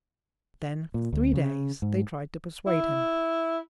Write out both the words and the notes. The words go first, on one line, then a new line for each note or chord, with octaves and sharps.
Then for three days they tried to persuade him.
A#2
D2
C#3
G#2
E4